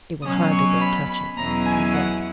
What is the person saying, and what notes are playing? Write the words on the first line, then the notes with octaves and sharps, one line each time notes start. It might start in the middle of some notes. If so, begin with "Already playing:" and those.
"It will hardly bear touching," he said.
B2 F#3 C#4 D#6
C#6
B5
B5
E2 B2 F#3 C#4 E4 A#5
G#5
F#5